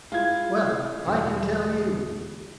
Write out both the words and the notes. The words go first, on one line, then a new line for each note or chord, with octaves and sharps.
Well, I can tell you.
G#3 E4 F4 G#6
E2 B2 D3